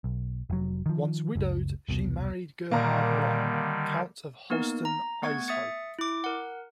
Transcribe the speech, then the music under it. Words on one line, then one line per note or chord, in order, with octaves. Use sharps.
Once widowed she married Gerhard I, Count of Holstein-Itzehoe.
B1
F1 F#3
D#3 F3
F#1 C#2
E1 C2 B2
A#2 D3 D#3 G3 A#3 A#5
A#3 B3 D#4 A#4
A#5
A3 B3 F#5 C#6 G#6
E5 D#6 A6 C#7
E4 D6
A#4 F#5